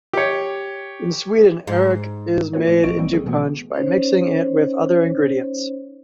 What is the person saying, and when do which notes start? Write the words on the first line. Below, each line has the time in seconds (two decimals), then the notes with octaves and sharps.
In Sweden arrak is made into punsch by mixing it with other ingredients.
0.13 G4 C#5
1.67 G#2
2.53 A#3 C4 F4 A#4 B4 C#5
2.67 A2 A3
2.83 B1 F3 C4 D#5 C#6 D7
2.98 E3 F3 G3 A#3 C4
3.13 D3 F#3 G#4 A4
3.26 B2 E3 A3 B3 F#4
3.74 C#4 D#4 C5 C#5